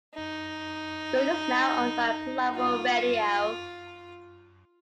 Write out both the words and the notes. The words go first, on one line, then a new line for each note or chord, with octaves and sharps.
Gold is now owned by Global Radio.
D#4
F4